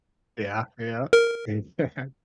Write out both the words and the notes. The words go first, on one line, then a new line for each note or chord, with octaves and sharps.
Yeah, yeah. Yeah.
A#4